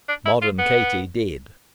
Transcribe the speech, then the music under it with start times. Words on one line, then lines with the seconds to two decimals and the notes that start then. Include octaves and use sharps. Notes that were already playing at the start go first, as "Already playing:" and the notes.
Modern Katie did.
0.08 D4
0.26 E4
0.42 F4
0.59 B3